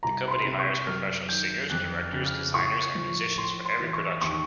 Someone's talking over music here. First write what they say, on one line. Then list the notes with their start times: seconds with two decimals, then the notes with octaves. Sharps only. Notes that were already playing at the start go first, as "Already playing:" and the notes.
The company hires professional singers, directors, designers and musicians for every production.
0.03 C2 A#5
0.28 B5
0.31 C6
0.45 C3
0.59 C#6
0.87 F#2 F6
1.29 D#3 G6
1.70 F2 F#6
1.98 F6
2.12 C#3
2.26 F6
2.54 A2 C#6
2.95 F3
3.38 A2 C6
3.65 C6
3.80 E3
3.93 C#6
4.21 D#2 C#6